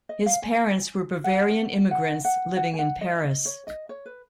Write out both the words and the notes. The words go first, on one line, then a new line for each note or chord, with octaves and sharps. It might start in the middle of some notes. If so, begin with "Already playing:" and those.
His parents were Bavarian immigrants living in Paris.
D#5
F5
G#5
F#5
F#5
F#5
F#5
G#5
F#5
D#5
D#5
C#5
D#5
C#5
B4